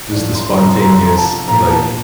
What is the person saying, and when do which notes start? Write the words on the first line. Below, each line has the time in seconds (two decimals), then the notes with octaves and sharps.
Just the spontaneous, like
0.12 A2 F3 D5
0.35 C6
0.57 C3 F3 A#5
0.68 C6
0.80 A#5
0.91 C6
1.02 C3 F3 A#5
1.18 A5
1.48 A#2 F3 A#5
1.70 A5